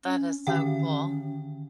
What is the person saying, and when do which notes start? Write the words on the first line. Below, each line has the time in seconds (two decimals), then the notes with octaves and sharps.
That is so cool.
0.05 C#4
0.47 D3 D#3 C#4 G5